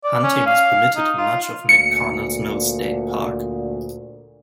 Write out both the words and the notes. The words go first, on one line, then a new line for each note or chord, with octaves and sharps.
Hunting is permitted in much of McConnells Mill State Park.
D5
C#4
F5
D#4
F4
D2 A#2 C#7